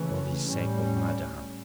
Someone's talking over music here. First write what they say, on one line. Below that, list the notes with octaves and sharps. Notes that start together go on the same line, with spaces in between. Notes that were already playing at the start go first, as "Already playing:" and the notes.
For the sake of Madame.
Already playing: C#3 E3 A3 C#4
A2 G3 C#4